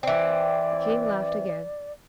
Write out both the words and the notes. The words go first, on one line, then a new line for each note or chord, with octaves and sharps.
The king laughed again.
E3 C4 D5